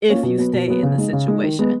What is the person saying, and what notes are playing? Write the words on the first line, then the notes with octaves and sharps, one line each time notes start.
if you stay in the situation,
A#3 C#4 F4
B2
F#3 B3
B2
F#3 B3
C#3
G#3 D#4
C#3
G#3 D#4
D#3
G#3 B3